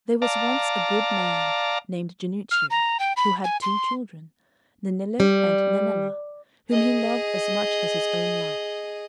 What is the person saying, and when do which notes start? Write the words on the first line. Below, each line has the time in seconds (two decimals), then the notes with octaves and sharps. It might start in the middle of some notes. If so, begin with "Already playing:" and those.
There was once a good man named Jannuccio, who had two children, Nennillo and Nennella, whom he loved as much as his own life.
0.22 D5 F5 A5 A#5
2.51 F6
2.70 A#5
3.00 G5
3.17 B5
3.44 G#5
3.62 C6
5.20 G3
6.71 G#4 D#5